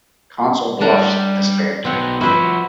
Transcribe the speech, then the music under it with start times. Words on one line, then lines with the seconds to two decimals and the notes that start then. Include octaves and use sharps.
Council Bluffs disbanded.
0.81 G3 D4 F#5 A#5
1.85 F#3 B3 C4 F#5
2.21 F3 E4 F#4 B4 C5